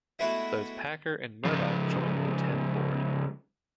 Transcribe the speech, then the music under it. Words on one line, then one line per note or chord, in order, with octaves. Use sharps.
Both Packer and Murdoch joined the Ten board.
G#3 A3 B3 E4 F#4
C#2 F3